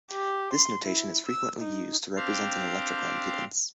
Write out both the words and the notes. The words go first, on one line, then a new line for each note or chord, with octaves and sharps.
This notation is frequently used to represent an electrical impedance.
G4
C6
E4
E6
D#4
C4 D4 G4 C5 F5